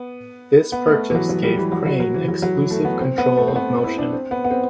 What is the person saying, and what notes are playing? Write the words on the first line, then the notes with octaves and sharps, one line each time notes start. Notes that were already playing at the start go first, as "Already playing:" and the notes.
This purchase gave Crane exclusive control of Motion.
Already playing: B3
B3
A3
E3
F#3
F#3
G3
E3
F#3
F#3
F#3
E3
F#3
F#3
E3
A3
B3
C4
B3
A3
C4
B3
E4
D4
C4
B3
B3
C4